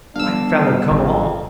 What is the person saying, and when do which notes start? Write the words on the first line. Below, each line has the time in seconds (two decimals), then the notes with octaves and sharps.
"Black fellow come along."
0.16 G1 D4 F5 E6
0.90 G#1 F2